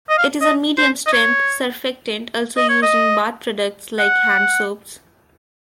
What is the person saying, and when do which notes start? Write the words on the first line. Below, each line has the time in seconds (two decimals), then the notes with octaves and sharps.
It is a medium strength surfactant also used in bath products like hand soaps.
0.10 D#5
0.18 F5
0.41 D#5
0.78 C5
1.07 D#5
1.13 C#5
2.57 D#5
2.69 C#5
2.83 D#5
3.99 F#5